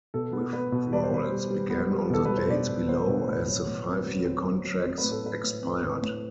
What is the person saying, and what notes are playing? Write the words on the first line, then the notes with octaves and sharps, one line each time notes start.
Withdrawals began on the dates below as the five-year contracts expired.
B2 A4
B3
B3 B4
B2
G3 D5
C5
B2 B4
C5
G3
G3
B3
G3
B2 A4
G3 B4
C5
B2 D5
B2
B3 C5
B2
C5
A2 B4
F#3
A2
C4
F#3
C4
C4
F#3
C4 C5
B4
A2
A4
A2 B4
A2
C4
A2
A2